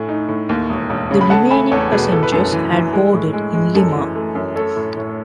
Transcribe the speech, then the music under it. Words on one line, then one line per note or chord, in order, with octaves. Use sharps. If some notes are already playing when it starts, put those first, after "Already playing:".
The remaining passengers had boarded in Lima.
Already playing: A2 A3 G#5
D#4
A2
D#2
E1
E1
C#3
B5
A3 F#5 A5
A3 G#5 B5
E2 A4 C#5
B2 G#4 B4
E3 A4
B4
F#2 A4
E3
E3
G#3
A2
G#3
G#3
F#2 A4
E3
A3
F#2
A3 A4 C#5
A2
A2